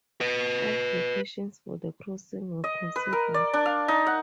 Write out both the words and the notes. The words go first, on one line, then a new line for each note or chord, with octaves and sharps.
Five locations for the crossing were considered.
B4 D#5
D#5
B4
A#4
D5
D4
F5
D#4
F#5